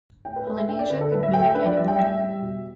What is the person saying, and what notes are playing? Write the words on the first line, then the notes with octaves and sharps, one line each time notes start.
Polynesia could mimic any one.
A2 G5
B4
A3 B4
E5
D4 G5
D5
D3 B4
A4
A2 B4
E5
A3 G5
E5
D4 B4
D5
G3 E5
G5
A2 E5
G3
B2